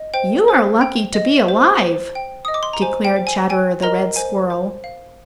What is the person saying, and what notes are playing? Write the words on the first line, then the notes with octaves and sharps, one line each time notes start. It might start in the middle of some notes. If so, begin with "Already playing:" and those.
"You are lucky to be alive," declared Chatterer the Red Squirrel.
Already playing: D#5
C5 G5
C5
G5
D#5
C5
C5
G5
D#5 D#6
D6
C6
A#5
C5 G#5
G5
C5
G#5
G5 G#5
A#4 D#5 A#5
C5 G#5
C5
F5